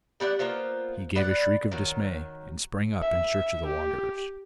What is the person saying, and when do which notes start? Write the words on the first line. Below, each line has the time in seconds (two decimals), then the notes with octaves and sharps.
He gave a shriek of dismay, and sprang up in search of the wanderers.
0.20 G3 B3 D5 F#5
0.39 A#3 B3 F4 C5
1.16 B3 D5 F#5
1.72 D#3 F#3
3.02 E5
3.67 G4